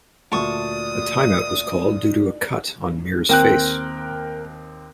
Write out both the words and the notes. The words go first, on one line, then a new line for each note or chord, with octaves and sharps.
A time out was called due to a cut on Mir's face.
D2 A#2 D5 A5 C#6 D#6
D#2 C4 A#4 G5 F#6